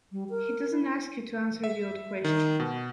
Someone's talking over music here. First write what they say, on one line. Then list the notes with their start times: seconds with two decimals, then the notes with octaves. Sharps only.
He doesn't ask you to answer the old question.
0.12 G3
0.30 A#4
0.71 E4
1.64 E5
2.24 D#3
2.60 B2